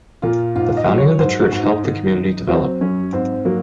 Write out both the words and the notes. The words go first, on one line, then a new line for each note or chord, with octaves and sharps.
The founding of the church helped the community develop.
A#2 F4
G#2 F4
D#5
F#3
C#5
G#2 C5
F#4
G#2
D#4
D#3
F#2
F#3 C4
F#2 C#4
G#2 C4
F#3 A#3